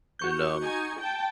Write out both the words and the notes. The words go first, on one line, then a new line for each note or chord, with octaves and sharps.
And um
F#4 C#6 G6
D#4 G#5
G5 A5